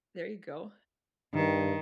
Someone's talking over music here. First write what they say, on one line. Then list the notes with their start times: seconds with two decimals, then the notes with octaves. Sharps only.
There you go.
1.34 G2 D#3